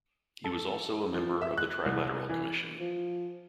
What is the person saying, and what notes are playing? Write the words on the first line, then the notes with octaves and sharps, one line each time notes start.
He was also a member of the Trilateral Commission.
A4
F3
E5
F#6
C2
E3
F3